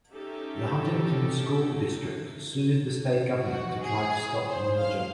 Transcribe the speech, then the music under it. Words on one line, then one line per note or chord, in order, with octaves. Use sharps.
The Huntington School District sued the state government to try to stop the merger.
C#4 D#4 G4 A4 E5
F#4
G#4
C5
F5